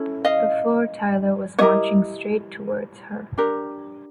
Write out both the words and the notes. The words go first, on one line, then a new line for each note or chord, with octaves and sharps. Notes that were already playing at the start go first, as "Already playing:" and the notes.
The floor tiler was marching straight towards her.
Already playing: C#4 E4 A4
D#5 F5
E4 G4 A#4 C#5 D#5
D4 G4 A#4